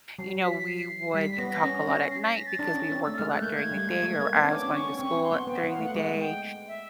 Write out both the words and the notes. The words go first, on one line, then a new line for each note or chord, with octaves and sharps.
You know, we would talk a lot at night, because we worked a lot during the day, or I I was going to school during the day.
F#3 C7
B6
C7
G3 B6
B3 A#6
C#4
C#4
C7
B6
A#6
A6
D4
C#4
C4
A3 E6
G#3 F6
A3 F#6
A#3 G6
A3 G#6
G3
G#3
A3
A#3
B3
C#4
D4 D6
C4
C#4 C#6
C4 C#6
C4
C6
B3
B3 G5
B3 F#5
F5
A3 F#5
G#3 F#5
G5
E5